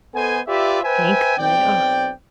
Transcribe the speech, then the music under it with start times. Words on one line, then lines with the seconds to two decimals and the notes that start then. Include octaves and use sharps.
Thankfully, ugh.
0.14 B3 A4 C5 D#5 G#5
0.48 F4 G4 B4 D5 E5
0.84 B4 C5 E5 G5 G#5
1.37 B1 C4 D5 G5